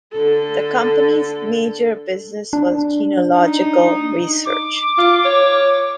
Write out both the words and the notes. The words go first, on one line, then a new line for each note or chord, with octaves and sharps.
The company's major business was genealogical research.
D3 A4
D4
D#4
D6
F4
C#5